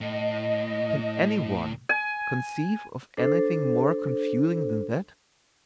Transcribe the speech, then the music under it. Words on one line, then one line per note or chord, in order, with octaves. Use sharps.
Can any one conceive of anything more confusing than that?
A2 D#5
G#5
D4 A4 C5